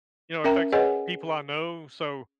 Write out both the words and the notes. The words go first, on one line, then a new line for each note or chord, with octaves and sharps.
you know, it affects people I know. So,
C#4 A#4 E5 G5 A#5
G#4 B4 C#5 D#5 F#5 G#5